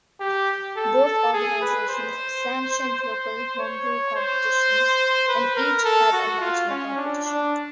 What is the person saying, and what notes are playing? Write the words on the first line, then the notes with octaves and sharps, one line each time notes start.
Both organizations sanctioned local homebrew competitions, and each had a national competition.
G4
A4
A4
G#4
B4
C5
C5
C#5
C5
B4
A#4
A4
F#4
F4
C#4
D4
D4